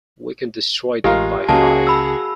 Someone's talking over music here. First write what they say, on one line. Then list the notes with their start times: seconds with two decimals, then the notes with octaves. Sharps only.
We can destroy them by fire.
1.04 A1 G#3 F4 G4 A#4
1.48 C#2 C#3 F#3 G#3 A#3 F#4 G#4 A5
1.87 B5 E6